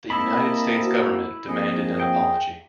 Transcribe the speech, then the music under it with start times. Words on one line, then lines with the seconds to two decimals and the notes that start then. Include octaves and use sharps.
The United States government demanded an apology.
0.10 A#3 C4 E4 D#5 A5 B5
0.83 F#4
1.48 F3 A#3 C4 G#4 D#5
2.00 G5